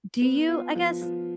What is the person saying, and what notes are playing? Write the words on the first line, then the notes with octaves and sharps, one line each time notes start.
do you I guess
B3
F4
F3
F3